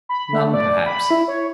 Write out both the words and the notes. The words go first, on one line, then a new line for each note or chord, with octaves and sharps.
None, perhaps!
B5
A3
D5
B5
E4
C#5